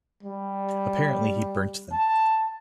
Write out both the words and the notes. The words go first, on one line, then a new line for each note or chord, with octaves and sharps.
Apparently he burnt them.
G3
A5